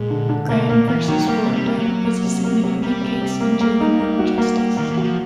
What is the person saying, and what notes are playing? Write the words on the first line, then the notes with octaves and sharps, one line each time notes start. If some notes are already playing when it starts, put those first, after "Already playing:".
"Graham versus Florida" was a significant case in juvenile justice.
Already playing: A#2 G#3
D3
D3
B2 A#3
A#2 A#3
E3 A#3
D#3 F#3
G3 A#3
C3
G3
A#3
F#3
A#3
A#3
C3
A#3
C3
G3 A#3
C3
C3
A#3
A#3
D#4
A#3
F#4
A#3
A#3
D#3 A#3
E3
F#4
F3